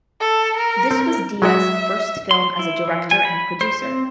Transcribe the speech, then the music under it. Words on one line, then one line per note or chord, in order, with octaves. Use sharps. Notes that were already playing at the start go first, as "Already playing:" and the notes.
This was Deeyah's first film as a director and producer.
A4
A#4
C4
F#3 G#3 F#4 E5
C6
E4
F3
G#5
B5
C5
C4